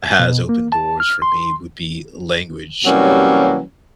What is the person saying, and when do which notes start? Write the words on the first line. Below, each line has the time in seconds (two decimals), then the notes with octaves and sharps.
has opened doors for me would be language.
0.20 B2
0.49 A#3
0.72 A5
1.00 F6
1.22 C6
2.84 C3 E3 F#3 G3 A#3 C#4